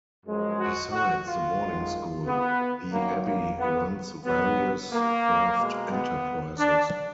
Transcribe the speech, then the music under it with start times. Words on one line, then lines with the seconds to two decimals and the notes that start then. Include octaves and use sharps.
Besides the boarding school, the abbey runs various craft enterprises.
0.25 F#2 F3 G#3
0.58 F#4
0.92 F#4
1.26 F4
1.58 F#2 D#3 G#3
2.26 B3
2.91 F#2 D#3 F#3 A#3
3.25 A#3
3.59 B3
4.25 B2 F#3 B3
4.91 A#3
5.58 B2 G#3
5.91 B3
6.58 D4